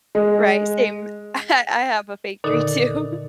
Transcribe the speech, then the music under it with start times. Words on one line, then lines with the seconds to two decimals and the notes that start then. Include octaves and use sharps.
Right. Same. I I have a fake tree too
0.15 G#3
2.44 A#2 D3 D#3 D#4 A4